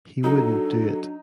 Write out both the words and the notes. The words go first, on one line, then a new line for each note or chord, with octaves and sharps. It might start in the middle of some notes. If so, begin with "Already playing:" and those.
He wouldn't do it.
F#3 D4 D#4 A4